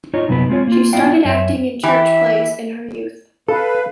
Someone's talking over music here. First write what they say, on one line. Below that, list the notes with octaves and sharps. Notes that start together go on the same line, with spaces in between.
She started acting in church plays in her youth.
D#4 F4 C#5 D#5
F#2 C3 F#3 B3 D#4 B4
G#3 C4 F4 C#5
A#3 F4
B3 E4 F4 D5 F5 G5
F#2 C#5 E5
E3 G4 E5
A4 B4 F5